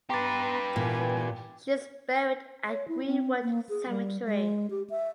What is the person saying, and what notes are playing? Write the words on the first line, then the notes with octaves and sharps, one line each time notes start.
She is buried at Greenwood Cemetery.
B3 G4 B4 G5 A#5 C6 D6 A6
A#2 E3 B3 G#5
C#5
E4
C4
A#3
G#4
G3
G#3
G4
E5